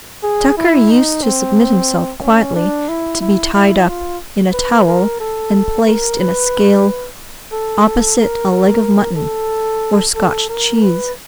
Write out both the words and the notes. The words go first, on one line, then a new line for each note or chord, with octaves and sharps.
Tucker used to submit himself, quietly, to be tied up in a towel, and placed in a scale opposite a leg of mutton, or Scotch cheese.
G#4
E4
D#4
C4
C#4
D4
E4
E4
E4
F4
B4
A#4
A4
A#4
B4
A4
A4
A#4
A#4
A4
A4
A#4
B4